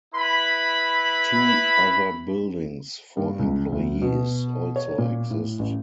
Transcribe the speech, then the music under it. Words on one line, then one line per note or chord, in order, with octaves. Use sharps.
Two other buildings for employees also exist.
E4 B4 B5
G2
C#2
D2
B2
C#5
A#2
A2
A1